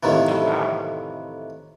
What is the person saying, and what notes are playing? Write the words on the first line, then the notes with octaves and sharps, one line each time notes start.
Oh, wow.
F2 A2 C3 D#3 E3